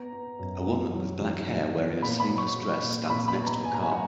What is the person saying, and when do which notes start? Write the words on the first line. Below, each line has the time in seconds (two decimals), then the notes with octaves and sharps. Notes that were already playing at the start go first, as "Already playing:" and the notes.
A woman with black hair wearing a sleeveless dress stands next to a car.
Already playing: B3 A#5
0.13 B3
0.39 F#2
0.66 F#3
0.93 F#3
1.21 D#3
1.48 D#3
1.75 B3
2.02 A#2 B5
2.20 B5
2.29 F#3
2.38 C#6
2.56 F#3
2.83 A#2
3.10 A#2 B5
3.28 B5
3.37 B3
3.46 A#5
3.65 A#2 G#5
3.74 A#5
3.83 G#5
3.91 F#3 F#5